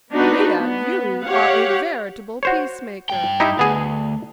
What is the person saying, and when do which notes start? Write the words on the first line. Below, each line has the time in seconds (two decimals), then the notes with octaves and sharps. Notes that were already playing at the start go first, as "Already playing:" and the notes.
"Maria, you are a veritable peace-maker!"
0.12 B3 D4 D#4 F#4 B4
0.59 B3
1.23 G4 C#5 F5 F#5
2.43 F#4 C5 C#5
3.10 G2 G5
3.40 D#4 E4 G4
3.59 D2 B3 G#4